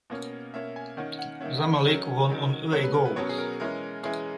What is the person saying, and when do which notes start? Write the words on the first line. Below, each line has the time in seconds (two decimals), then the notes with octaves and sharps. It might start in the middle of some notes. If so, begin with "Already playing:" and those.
Zamalek won on away goals.
0.10 B2 A#3 C#4
0.53 B2 A#3 C#4 E5
0.76 G#5
0.97 D#3 A#3 C#4 F#5
1.19 F#5
1.41 D#3 A#3 C#4 E5
1.85 D#3 F#3 C#4
2.29 D#3 F#3 C#4
2.72 B2 F#3 C#4 C#5
2.84 B4
2.94 A#4
3.05 B4
3.16 B2 F#3 C#4 C#5
3.29 G#4
3.38 A#4
3.60 E3 G#3 C#4 A#4
4.03 E3 G#3 C#4 G#4